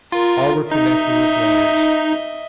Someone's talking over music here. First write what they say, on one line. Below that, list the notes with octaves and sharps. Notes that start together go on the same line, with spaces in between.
All were connected with wires.
F4 A#4
D#4 D#5 E5